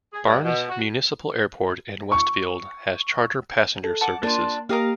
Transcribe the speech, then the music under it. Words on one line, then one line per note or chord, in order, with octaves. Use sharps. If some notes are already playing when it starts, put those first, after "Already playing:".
Barnes Municipal Airport in Westfield has charter passenger services.
G#4
G2
B2
F#4
C#6
A4
F#5 A5 D6
A#3 D4 F4
A#3 G4 A#4 D#5 F5